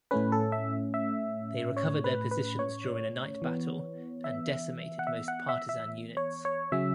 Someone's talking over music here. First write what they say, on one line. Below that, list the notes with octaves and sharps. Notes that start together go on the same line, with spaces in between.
They recovered their positions during a night battle and decimated most Partisan units.
A2 A3 C#4 B4
A4
E5
E5
C#5
B4
B4
C#5
E3 B3
E5
F#5
E5
F#5
E5
E5
C#5
C#5
C#3 F#3 C#4 E5